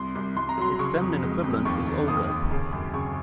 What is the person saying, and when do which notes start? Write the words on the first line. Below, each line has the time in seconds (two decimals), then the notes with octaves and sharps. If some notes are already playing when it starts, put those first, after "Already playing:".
Its feminine equivalent is Olga.
Already playing: C2 C6
0.15 C2
0.36 C2 C6
0.49 A#5
0.58 F#3 C6
0.79 C#3 C#6
1.01 F2
1.23 G#3
1.43 F2
1.65 D#2 C#6
1.87 D#3
2.08 D#2 D#6
2.30 D#2
2.51 C#3
2.72 F#2
2.94 C#3 C#6